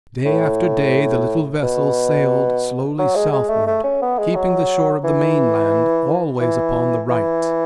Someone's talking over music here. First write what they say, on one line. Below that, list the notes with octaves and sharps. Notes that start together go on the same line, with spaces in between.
Day after day the little vessel sailed slowly southward, keeping the shore of the mainland always upon the right.
A2
B2
F#3
G#3
G#3
A3
A3
C#4
B3
G#3
F#3
E3
E3
E3